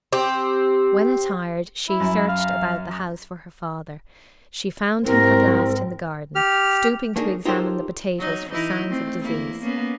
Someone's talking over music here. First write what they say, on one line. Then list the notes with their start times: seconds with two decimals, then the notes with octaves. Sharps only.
When attired she searched about the house for her father; she found him at last in the garden, stooping to examine the potatoes for signs of disease.
0.13 C4 G4
1.89 E4
2.00 F#2
2.28 F5
5.06 C2 G#2 C4 A#4
6.35 G4 F6
7.16 A3 A#3 D4 D#4 F#4 G#4
7.45 D#4 F4 G4 A4 A#4 C5
8.18 F#3 D#4
8.50 E3 D#4 E4
8.86 A3 C4
9.21 E2 A#3 E4
9.62 A#3 B3 C#4